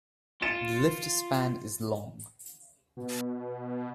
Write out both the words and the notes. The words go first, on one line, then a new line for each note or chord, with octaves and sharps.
The lift span is long.
F4 A6 C#7 E7
B2